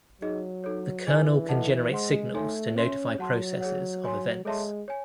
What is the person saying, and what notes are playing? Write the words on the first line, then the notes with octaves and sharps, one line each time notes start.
The kernel can generate signals to notify processes of events.
F#3 D#4 G#4 D#5
D#4 A4 C#5
E3 G#4 D#5 G#5
A4 D#5 F#5 A5
G#3 C5 F#5 C6
A3 D#4 A4 C#5 G#5 C6
C#4 C#5 E5 C6
F#3 C#5 F#5 A5 C6
G#4 C#5 F#5
C#5 G#5 C6
G#3 A4 C#5 E5 A5 C6
C#5 G#5